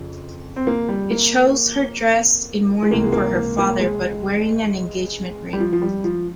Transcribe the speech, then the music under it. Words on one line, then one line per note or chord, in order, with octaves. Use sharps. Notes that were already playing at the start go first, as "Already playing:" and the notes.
It shows her dressed in mourning for her father but wearing an engagement ring.
Already playing: F2 C#3 F3
C4
A#3
G3
A#3
G#3
C#2 C3 E3 A#3
G#3
A#3
A#3
A#3
G#3
G3
F3
F3
G3
F3